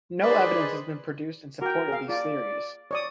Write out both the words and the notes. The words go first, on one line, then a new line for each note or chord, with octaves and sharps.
No evidence has been produced in support of these theories.
D#3 G#4 B4 C5 D5
F#4 A#4 G5
G#4 F5
F4 D5
C#5 D5 D#6